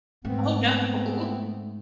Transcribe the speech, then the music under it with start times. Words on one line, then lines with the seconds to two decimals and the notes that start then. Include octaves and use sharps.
Oh, no.
0.25 G#2 A3 B3 C4